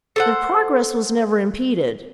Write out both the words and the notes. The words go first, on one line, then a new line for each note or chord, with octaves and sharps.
Their progress was never impeded.
A4 C5 F#5